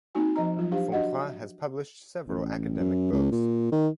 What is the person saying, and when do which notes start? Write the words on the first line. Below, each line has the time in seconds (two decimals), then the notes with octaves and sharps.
Fauntroy has published several academic books.
0.15 A#3 C4 D#4 F#4 G#5
0.36 F3 C5 D#5 A#5
0.57 F3 F#3 F4
0.71 D4 G4 C5 F5
0.92 D4 F#4 D#5 F#5
1.29 E5
2.28 A1
2.80 F#2
3.12 C#2
3.32 A#2
3.72 D#3